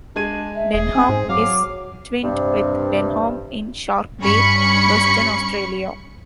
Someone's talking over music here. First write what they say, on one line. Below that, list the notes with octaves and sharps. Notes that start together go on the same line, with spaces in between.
Denham is twinned with Denham in Shark Bay, Western Australia.
G#3 D4 G#6 D#7
E5
E1 G#4
C4 G#5
G#2 C5
F#3 F5 D6
G2 C3
G2 C#4 B5 C#6 C#7